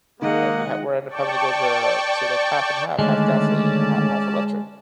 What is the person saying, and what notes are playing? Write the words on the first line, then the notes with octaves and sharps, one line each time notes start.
and we have we're end up having to go to to, like, half and half, half gasoline and ha half electric,
D#3 G#3 A#3 D#5 F#5
D5 G5 A5 C#6
D3 D#3 G#3 A3 C#4 D5 A5